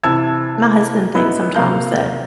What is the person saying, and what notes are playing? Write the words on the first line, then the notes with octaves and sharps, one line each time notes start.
my husband thinks sometimes that
C3 E3 A5 E6 G#6
B3 D#4 E4
C3 A#3 F5 A#5 G6